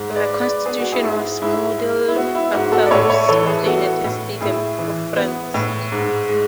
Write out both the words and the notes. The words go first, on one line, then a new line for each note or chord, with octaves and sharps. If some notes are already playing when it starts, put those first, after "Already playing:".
The constitution was modeled after those of the United States and of France.
Already playing: G#2
B4 D5
G#3
B4 D5
B3 G#4
F#4
E4 G#4
G#2
G#2 E4
G#3
E4
B3 F#4
E4
G#2 F#4
F#4 A4
D5
A2 A4 C#5
C#5 E5
E3 A4 C#5
G#4 B4
B3 F#4 A4
A2
A2 E4 G#4
E3
B3
A2
G#2
G#3